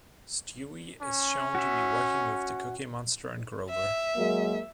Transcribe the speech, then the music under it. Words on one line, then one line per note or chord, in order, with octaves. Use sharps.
Stewie is shown to be working with the Cookie Monster and Grover.
C#4
F#4 E5
E5
F#3 G#3 A#3